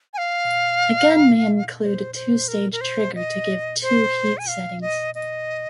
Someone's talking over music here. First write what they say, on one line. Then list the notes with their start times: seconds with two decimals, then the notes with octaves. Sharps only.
A gun may include a two-stage trigger to give two heat settings.
0.14 G#5
0.18 F5
1.81 D#5
1.86 C5
2.15 C5
2.48 A#4
2.72 A#4
2.81 C5
3.15 D#5
3.82 C5
4.38 G#5
4.49 F5
4.81 D#5
5.15 D#5